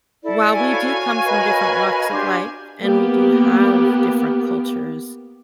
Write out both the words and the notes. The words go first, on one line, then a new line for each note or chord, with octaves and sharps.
while we do come from different walks of life, and we do have different cultures,
E4 A4 D5
F#4 C#5 F5 G#5
A#4 B4 D#5
D4 G4 C6
A#3 B3 G4 A#4